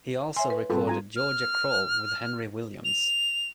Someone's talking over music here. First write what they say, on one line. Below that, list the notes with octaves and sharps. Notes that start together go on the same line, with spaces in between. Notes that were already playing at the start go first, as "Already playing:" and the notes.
He also recorded "Georgia Crawl" with Henry Williams.
C#5 E5 G#5 C6
B4
G#2 G3 C4 F4 A4 B4
F4 G#5 A#5
F6
F7